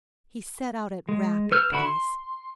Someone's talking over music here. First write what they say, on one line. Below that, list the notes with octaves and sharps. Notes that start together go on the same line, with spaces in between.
He set out at rapid pace.
G#3
B4 E6 F6 G6
D3 E4 F#4 B5
C6